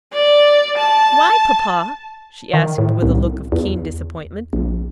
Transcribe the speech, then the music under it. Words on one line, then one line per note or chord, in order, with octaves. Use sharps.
"Why, papa?" she asked with a look of keen disappointment.
D5
A5
D#3
A2
C2
E2
A#1